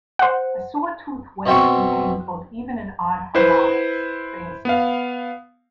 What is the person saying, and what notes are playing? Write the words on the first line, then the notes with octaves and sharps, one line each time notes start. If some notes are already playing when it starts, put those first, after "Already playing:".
A sawtooth wave contains both even and odd harmonics, for instance.
C5 F#5
B2 C4 E5 G5 C#6
E4 B4 C5
B3 F5